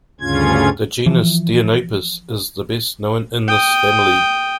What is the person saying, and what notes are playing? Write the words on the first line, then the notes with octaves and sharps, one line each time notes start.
The genus "Deinopis" is the best known in this family.
D2 G2 C#3 C#4 F4 G#6
E3 F3
G5 D#6